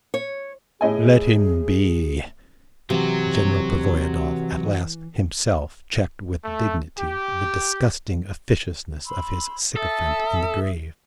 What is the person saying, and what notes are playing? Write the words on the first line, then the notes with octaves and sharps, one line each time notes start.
"Let him be." General Pervoyedov at last himself checked with dignity the disgusting officiousness of his sycophant in the grave.
C#5
A2 G#4 D#5 G#5
C3 E3 F#3 F#4
A3
G4
B5 C6 E6
A4 E5 D#6 E6